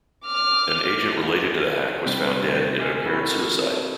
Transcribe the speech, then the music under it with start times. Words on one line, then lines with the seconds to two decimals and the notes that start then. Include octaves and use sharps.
An agent related to the hack was found dead in an apparent suicide.
0.25 D6 F6
2.06 C3 G3 C4 D4
2.79 G4 G#4 A#4 C5 D#5
3.05 C4 D#4 E4 F#4 A4 A#4